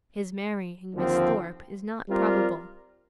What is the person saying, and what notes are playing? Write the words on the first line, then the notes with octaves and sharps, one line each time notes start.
His marrying Miss Thorpe is not probable.
D#2 D3 F3 C4
G3 C4 F4 A#4 D5